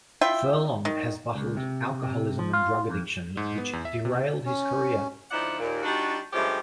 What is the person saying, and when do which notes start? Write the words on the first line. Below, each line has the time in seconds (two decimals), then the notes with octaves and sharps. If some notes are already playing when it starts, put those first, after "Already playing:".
Furlong has battled alcoholism and drug addiction, which derailed his career.
0.21 E4 F4 E5 G5
0.85 D#3
1.35 C#2
1.57 C3
2.03 C3
2.39 F3
2.53 F4
2.89 F2
3.37 G#2
3.58 B3
3.73 E2
3.85 E5
4.05 C3
4.46 C#4
5.31 D2 F3 D#4 E4 D5 F#5
5.59 D#2 A#2
5.83 G3 D4 D#4 F4 F#4
6.33 G2 F3 G#3 A3 C#4 G4